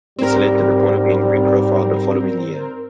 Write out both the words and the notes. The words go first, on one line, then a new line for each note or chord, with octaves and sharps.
This led to the corner being reprofiled the following year.
G#2 G3 C4 A#4